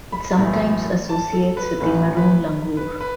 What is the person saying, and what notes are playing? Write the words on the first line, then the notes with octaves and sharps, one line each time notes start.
It sometimes associates with the maroon langur.
B5
B1 A2 E3
A5
A4
B4
A1 A2 E3 B4
B4
B4
B4